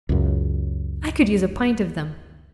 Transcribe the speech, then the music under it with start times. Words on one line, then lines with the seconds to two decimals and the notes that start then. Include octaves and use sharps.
I could use a pint of them!
0.09 C#2 F#2